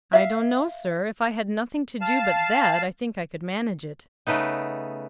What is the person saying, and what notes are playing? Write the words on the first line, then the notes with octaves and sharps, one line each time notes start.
"I don't know, sir; if I had nothing to do but that, I think I could manage it."
E5 F5
F5 A5
C#3 A3 B3 D#4